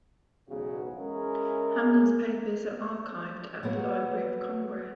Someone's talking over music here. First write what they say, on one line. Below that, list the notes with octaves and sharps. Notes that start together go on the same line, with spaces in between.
Hamlin's papers are archived at the Library of Congress.
B1 E2 G#2 C#3 F#3 F#4
G#3 C#4 E4 G#4 A#4
F#3 A#3 B3